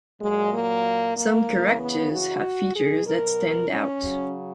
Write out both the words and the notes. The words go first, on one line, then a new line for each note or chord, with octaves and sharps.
Some characters have features that stand out.
A#2 F#3 G#3
A#3
A#3
C#3 E3
B3
F#4
B2 F#3 G#4
A#4
C#4
C#3 F#3